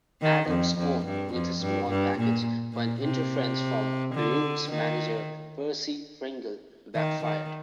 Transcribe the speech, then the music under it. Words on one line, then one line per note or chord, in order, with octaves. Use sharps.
Adams won with a small package when interference from Rude's manager Percy Pringle backfired.
D#3
F2
F2
G2
F2
G2
G2
A#2
A#2
C3
D3
D#3
D#3
D#3